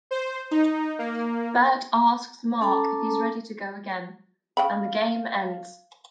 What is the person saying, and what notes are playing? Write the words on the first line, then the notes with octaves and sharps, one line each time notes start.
Bert asks Mark if he is ready to go again, and the game ends.
C5
D#4
A#3
C#4 A4 A5 A#5 D6
C#3 F5 G5 B5